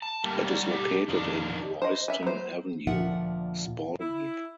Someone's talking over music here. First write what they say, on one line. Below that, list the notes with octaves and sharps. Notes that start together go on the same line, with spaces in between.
It is located in Royston Avenue, Spaldwick.
A5
G3 A3 A#3
F#3 G3 C#5 D5
A3 G4
F2 D#3 D4
C5 D#5
E5 G#5
F#3 C5
D2 A#2 F3 E5 F#5
E4